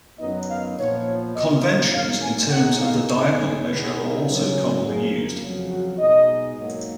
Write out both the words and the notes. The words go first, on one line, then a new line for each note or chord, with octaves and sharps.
Conventions in terms of the diagonal measure are also commonly used.
F#2 D#3 F#3 B3 D#4 D#5
F5
A#2 F3 B3 C#5
B2 F#3 A#3 D#5
D#5
G#2 F#3 A#3 F5
G#5
B2 G#3 D#4 F#5
F5
G#2 D#3 G#3 C#4 D#5
B2 G#3 B3 D#4 B4
A#4
C#3 F#3 C#4
F#2 F3 A#3 G#4
F2 C#3 F#3
F#4
B2 G#3 D#4 D#5
G#2 F#3 A#3